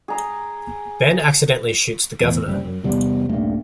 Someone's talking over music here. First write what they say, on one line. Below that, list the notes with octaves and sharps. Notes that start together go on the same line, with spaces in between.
Ben accidentally shoots the governor.
G#4 A#5
E2 A2
F#1 C3 G3
F#2
E2 C3 G3 B3
D#1 G2 A3 A#3